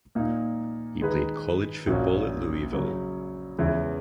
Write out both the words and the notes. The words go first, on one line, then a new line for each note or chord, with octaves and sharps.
He played college football at Louisville.
A#2 A#3 D#4
D#3 G#3 D#4 G#4 B4
A#1 A#2 A#3 C#4 F#4
C#3 F#3 C#4
E2 C#3 E3 G#3